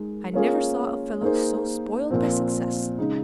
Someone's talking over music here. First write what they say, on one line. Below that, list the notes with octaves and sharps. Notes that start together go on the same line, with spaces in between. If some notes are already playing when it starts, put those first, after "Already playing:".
'I never saw a fellow so spoiled by success.
Already playing: G#3 D#4 A#4
A#3 C#4 F4 G#4
A#3 D#4 G#4 C5
A#2 F3 C4
C#3 G#3 D#4